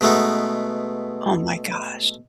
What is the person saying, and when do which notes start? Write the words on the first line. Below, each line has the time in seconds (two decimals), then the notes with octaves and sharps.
Oh my gosh.
0.01 B2 G#3 A3 B3 D#4